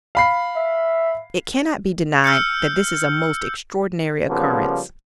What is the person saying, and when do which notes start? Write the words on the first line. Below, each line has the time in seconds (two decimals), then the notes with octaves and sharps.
It cannot be denied that this is a most extraordinary occurrence.
0.15 F5 B5 C7
0.56 E5
2.24 E6 F6 G6 C#7
4.29 C#3 F3 G3 A#3 B3